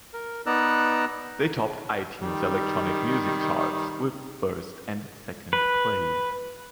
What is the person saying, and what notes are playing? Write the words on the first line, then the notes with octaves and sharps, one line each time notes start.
They topped iTunes electronic music charts with first and second place.
A#4
B3 D#4 D5 A#5 E6 F#6
D#3 G3
B4